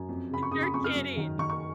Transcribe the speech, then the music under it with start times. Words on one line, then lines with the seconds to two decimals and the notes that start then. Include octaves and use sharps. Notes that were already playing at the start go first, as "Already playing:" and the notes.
You're kidding.
Already playing: F#2
0.09 F2
0.30 C#3 B5
0.43 C#6
0.52 C#3 D#6
0.63 B5
0.73 F2 C#6
0.84 F6
0.95 F#2
1.17 D#3
1.39 D#3 C#6
1.50 C#6